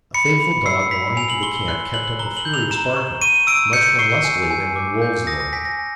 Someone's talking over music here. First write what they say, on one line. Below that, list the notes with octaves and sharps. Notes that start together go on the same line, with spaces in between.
A faithful dog belonging to the camp kept up a furious barking, much more lustily than when wolves annoyed him.
B5 C#7
B5
E6 C7
B5 B6
G#5 F7
F#7
C6 G7
F#7
F#6
F#6 F#7
A#5 G7
F#7
G6
F7
A#5 E7
C#6
C#6 D#7
E6 D7
G6 C#7
C#6 C7
G#5
G#5
D6
G6
D#6 A#6
A#6
G#5 B6
A#6
G#5